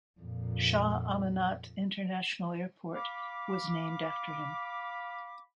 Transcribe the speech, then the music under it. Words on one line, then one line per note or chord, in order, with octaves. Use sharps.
Shah Amanat International Airport was named after him.
F2 A#2
F5 B5 D6